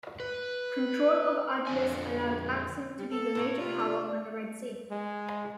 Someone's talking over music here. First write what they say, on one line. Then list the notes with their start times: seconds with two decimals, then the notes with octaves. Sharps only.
Control of Adulis allowed Axum to be the major power on the Red Sea.
0.20 B4
1.67 F2 D3 G#5
2.97 G3
3.11 A4
3.35 A2 A#4 C#5
3.58 C3 F4
3.79 D4
4.91 G#3